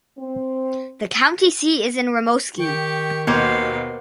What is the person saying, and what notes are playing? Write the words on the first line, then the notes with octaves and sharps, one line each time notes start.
The county seat is in Rimouski.
C4
D#3 G4 C#6
D#2 B2 A#3 B3 C5 C#5 F5